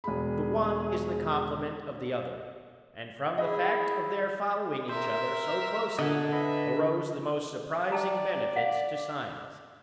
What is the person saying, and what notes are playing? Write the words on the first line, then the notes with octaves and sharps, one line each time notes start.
The one is the complement of the other; and from the fact of their following each other so closely arose the most surprising benefits to science.
E1 G#4 B5
E4 G#4 D#5
A#4 C5 E5
D3 D#5 F#5 G#5
B4 D#5 E5
D5 G5 A5 A#5
F5 F#5